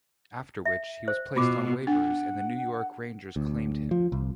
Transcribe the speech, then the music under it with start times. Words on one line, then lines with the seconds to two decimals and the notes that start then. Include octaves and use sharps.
After which he was placed on waivers and the New York Rangers claimed him.
0.65 E5
1.08 C5
1.36 B2 F4 D6
1.87 D4 F#5
3.36 D2
3.91 F3
4.12 C2